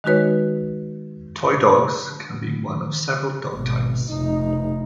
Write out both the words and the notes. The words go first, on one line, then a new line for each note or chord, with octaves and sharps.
"Toy dogs" can be one of several dog types.
D#3 G#3 D#4 F#4 B4 C#5
G#1 B2
F1 D#4